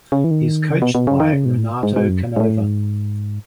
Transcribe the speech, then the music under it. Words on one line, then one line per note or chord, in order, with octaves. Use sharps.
He is coached by Renato Canova.
C#3
E3
D#3
C#3
B2
B2
C#3
D#3
C#3
B2
A2
G#2
G#2
F#2
G#2
A2
G#2